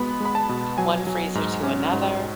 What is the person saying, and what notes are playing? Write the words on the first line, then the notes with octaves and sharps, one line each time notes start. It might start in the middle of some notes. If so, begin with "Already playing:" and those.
one freezer to another?
Already playing: B2 G#3 B3 B5
G#3 B5
A5
B2
F#3 G#5
F#3
G#2
C#4
G#2